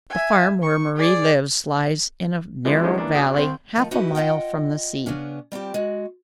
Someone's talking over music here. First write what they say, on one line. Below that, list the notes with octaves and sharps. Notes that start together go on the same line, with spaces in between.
The farm where Mari lives lies in a narrow valley half a mile from the sea.
E5 G#5
C#6
G#4 D5
F3 G#3 B3 C4 D4 E4
E3 F3 G3 G#3 C#4 D#4
E3 A#3 D4
D4 F#4 G#4 G5 D#6
C2 C4
D#3 F3 A3
D#4 E4 F#4 G4 B4
F4 D#5 F#5 G5
C#3 B3 C#4 D4
G3 C4 F4 G4
G#3 F#4